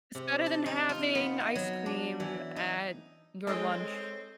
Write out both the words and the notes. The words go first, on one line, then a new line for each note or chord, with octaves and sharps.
It's better than having ice cream at your lunch.
C3
A5
D#4
F4
B3
D#5
F#3
D4
E3
D#4
G#3 C4 D#4 A4 C#5 D#5